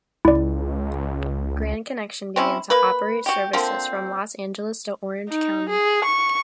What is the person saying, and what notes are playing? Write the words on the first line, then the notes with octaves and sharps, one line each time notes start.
Grand Connection began to operate services from Los Angeles to Orange County.
C#2 E4 D5
C4 C#4 E4
A#3 B4
F#4 G4
D3 F3 A#3 C4
D#4
G#4
C#6